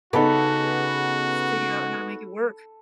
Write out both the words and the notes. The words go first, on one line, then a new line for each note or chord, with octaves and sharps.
just figure out how to make it work.
C#3 B3 D#4 F#4 A4 B5 D6